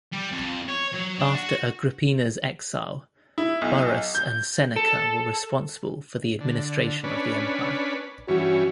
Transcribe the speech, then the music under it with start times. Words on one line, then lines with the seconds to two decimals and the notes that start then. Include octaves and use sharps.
After Agrippina's exile, Burrus and Seneca were responsible for the administration of the Empire.
0.13 G3
0.32 F2
0.69 C#5
0.94 F#3
1.20 D4
1.35 F#4
3.38 E4
3.62 B1
4.15 G6
4.76 A4
6.40 D3
7.04 C#4 D4 B4
8.28 G2 E3 C#4 F#4